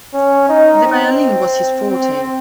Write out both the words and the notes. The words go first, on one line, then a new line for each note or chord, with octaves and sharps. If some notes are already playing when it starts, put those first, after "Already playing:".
The violin was his forte.
C#4
D#4
C4
C4